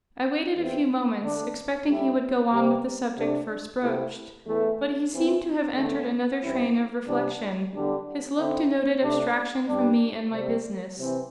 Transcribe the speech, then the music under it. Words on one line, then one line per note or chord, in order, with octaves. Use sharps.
I waited a few moments, expecting he would go on with the subject first broached: but he seemed to have entered another train of reflection: his look denoted abstraction from me and my business.
E2 E3 C4
D3 A3 D4
A2 G3 E4
C3 G3 C4
C3 A3 D4
C3 A3 C4 E4
E2 E3 A3
E2 E3 C4 E4
E2 D3 A3
G2 E3 C4 E4
C3 E3 G3 D4
E2 D3 G3 D4
D3 C4 E4
C3 A3 D4
G2 G3 D4
C3 G3 C4
C3 E3 C4